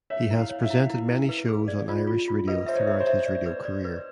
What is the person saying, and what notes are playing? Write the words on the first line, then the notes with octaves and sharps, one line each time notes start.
He has presented many shows on Irish radio throughout his radio career.
C#5 E5
E4
F5
C#5
E5
E4
E4
E4
B4
G#4
D5
F4
F4
F4
B4 D#5
C5 E5
C#5
C#5 E5
C5
E5
D5
B4
D5
B4